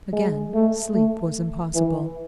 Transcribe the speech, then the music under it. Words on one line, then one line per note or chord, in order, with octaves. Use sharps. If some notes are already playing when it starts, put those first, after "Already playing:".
Again sleep was impossible.
G#3
A3
A3
E3